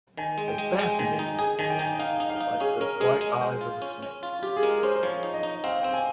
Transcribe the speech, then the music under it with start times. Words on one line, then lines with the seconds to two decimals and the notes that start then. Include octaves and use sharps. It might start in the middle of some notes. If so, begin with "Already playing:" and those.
They fascinated me like the bright eyes of a snake.
0.17 D#3 G#5
0.38 G#3
0.48 G5
0.58 G#3
0.78 G#3 G#5
0.89 G5
0.99 D#3 G#5
1.19 D#4
1.39 G#4 G#5
1.59 D#3 G#5
1.70 G5
1.79 D#4 G#5
1.99 D#4 F5
2.20 D#4
2.30 F5
2.41 D#4
2.60 C#4 G#4
2.80 C#4 A#4
3.00 G#3 G#4
3.21 G#3
3.41 C5
3.61 F4
3.82 C#4
4.03 C#4
4.23 F4
4.43 F4 G4
4.57 G#4
4.63 G#3 A#4
4.83 C#4 C5
4.95 C5
5.03 F3 C#5
5.23 D#4
5.34 D#5
5.43 D#4
5.64 C4 F5
5.83 C4 G5
5.94 G#5